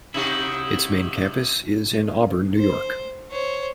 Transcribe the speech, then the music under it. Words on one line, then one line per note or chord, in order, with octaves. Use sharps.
Its main campus is in Auburn, New York.
C3 D#4 E4 F#4 G4
C5
C5 C#5